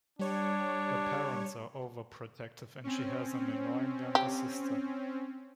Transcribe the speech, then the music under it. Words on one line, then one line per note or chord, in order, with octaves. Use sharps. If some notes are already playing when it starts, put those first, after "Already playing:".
Her parents are overprotective, and she has an annoying younger sister.
G3 D4 C#5
C4 C#4
G4